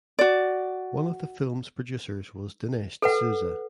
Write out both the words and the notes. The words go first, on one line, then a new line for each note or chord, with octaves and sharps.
One of the film’s producers was Dinesh D’Souza.
F#4 D5
A4 B4 F#5